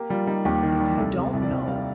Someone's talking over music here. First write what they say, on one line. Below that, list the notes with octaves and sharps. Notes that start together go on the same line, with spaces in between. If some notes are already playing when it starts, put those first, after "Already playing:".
if you don't know
Already playing: A#3 G4
G3 F4
G3 D#4
D#2 G4
D#3
G3
C2 A4
C3
C2
D5
C2 C5
G3 F5